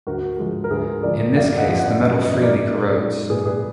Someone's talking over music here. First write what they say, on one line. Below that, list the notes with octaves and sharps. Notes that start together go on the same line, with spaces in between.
In this case, the metal freely corrodes.
D2 F#4 A#4
D3 F3 G#3
A#4
D2 G#4 B4
D3 F3 G#3 A#4 D5
F#2 D5 F5
D#5 F#5
F3 B3 D4
D#5 F#5
F#2 B4 D#5
B4 D#5
F3 B3 D4
A#4 D5
A#2
G#3 D#4
A#2 G#4 B4
G#4 B4